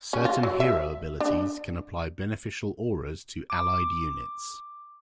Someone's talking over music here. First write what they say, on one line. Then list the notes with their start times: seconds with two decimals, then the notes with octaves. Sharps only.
Certain hero abilities can apply beneficial auras to allied units.
0.13 C#4
0.25 F4
0.43 F#3
0.60 E5
1.20 D4
3.50 D6